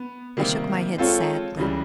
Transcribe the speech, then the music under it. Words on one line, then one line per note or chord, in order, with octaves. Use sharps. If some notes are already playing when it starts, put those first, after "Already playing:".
I shook my head sadly.
Already playing: B3
C3 D#3 G3 A#3
G#3 C4 F4 A4 C#5
C#2 C#3 E3 G3